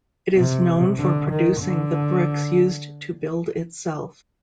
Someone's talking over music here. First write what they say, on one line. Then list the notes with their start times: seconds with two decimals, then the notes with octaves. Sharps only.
It is known for producing the bricks used to build itself.
0.35 C3
0.98 D3
1.30 D#3
1.62 D3